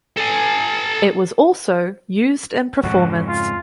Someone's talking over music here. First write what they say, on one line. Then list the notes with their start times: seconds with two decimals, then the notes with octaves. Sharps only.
It was also used in performance.
0.17 A4 G#5
2.83 F2 G#2 C#3 F#4
3.28 F4